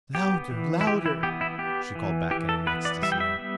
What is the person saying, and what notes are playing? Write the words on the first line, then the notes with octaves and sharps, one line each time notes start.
"Louder, louder!" she called back in an ecstasy.
B3 G4
E3
E4
E3 G4
E4
B3 G4
E4
B3 G4
E3
E3 G4
A4
B3 B4
D5
G3 E5
G5
E5
B3